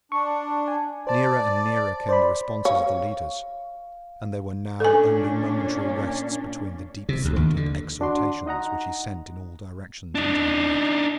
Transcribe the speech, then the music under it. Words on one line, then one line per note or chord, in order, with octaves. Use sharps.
Nearer and nearer came the responses of the leaders, and there were now only momentary rests between the deep-throated exhortations which he sent in all directions into the night.
D4 C#6
G#5
C5 D5 A5
C5 D5 B5
C#5 F5
A#2 C#4 D4 A4 G#5
C3
D2
D#2
D3
D4 F#4 C6
D#4 D#5 F#5 A#5
D4 D#4